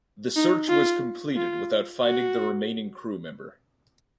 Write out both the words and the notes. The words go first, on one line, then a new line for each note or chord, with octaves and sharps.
The search was completed without finding the remaining crew member.
D#4
F4
F4
F#4